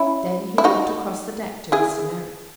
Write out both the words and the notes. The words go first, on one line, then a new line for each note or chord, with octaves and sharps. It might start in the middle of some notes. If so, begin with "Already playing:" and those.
Then he walked across the deck to Mr. Merrick.
Already playing: C#4 E4
E4
D#4 F#4
E4 G#4